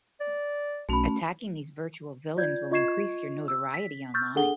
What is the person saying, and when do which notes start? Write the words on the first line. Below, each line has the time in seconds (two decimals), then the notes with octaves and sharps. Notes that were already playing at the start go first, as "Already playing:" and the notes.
Attacking these virtual villains will increase your notoriety online.
0.21 D5
0.89 B1 A3 C#4 F#4 B5
2.37 F4 D5 G6 G#6
2.71 F4 D#5 C#6 G#6 C7 E7
3.48 E6
3.74 B6
4.14 C#6 E6 F6 G6 A6
4.35 D4 G#4 A4 F#5 G7